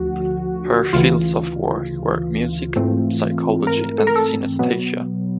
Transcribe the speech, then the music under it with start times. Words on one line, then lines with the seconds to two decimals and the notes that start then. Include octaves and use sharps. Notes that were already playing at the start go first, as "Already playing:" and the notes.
Her fields of work were music psychology and synaesthesia.
Already playing: D2 D3 F3 F#4
0.93 D2 C#3 E3 F4
2.76 G#2 E3 A3 C4
3.67 A#4
3.98 A4
4.07 A#4
4.16 A4
4.59 B2 F#3 B3